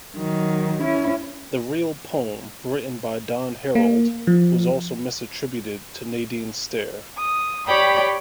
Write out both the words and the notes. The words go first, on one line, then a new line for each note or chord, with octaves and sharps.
The real poem, written by Don Herold, was also misattributed to Nadine Stair.
D#3 F#3
C#4 E4
A#3
F3
D#6
G4 C#5 D5 G5 B5